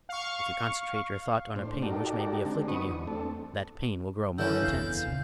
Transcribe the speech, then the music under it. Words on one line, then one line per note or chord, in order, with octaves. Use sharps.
If you concentrate your thought on a pain which may be afflicting you, that pain will grow more intense.
F5 C#6
A2 D4 C5
D#4 F#4 G4 A4 A#4 D5
D3 G#3 C4 D4
D#4 F#4 B4 C#6 D#6
E2 D4
A3 C4 D4 A4
D3 E3 C#4 E6 G6
F#1 E2 F5 G6
A#2 C#3